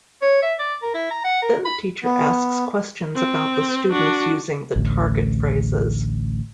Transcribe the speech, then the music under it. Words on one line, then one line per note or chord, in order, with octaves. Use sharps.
Then the teacher asks questions about the students using the target phrases.
C#5
E5
D5
A#4
E4
A#5
F#5
A#4
B5
B3
C4
D4 F#4
A1 D2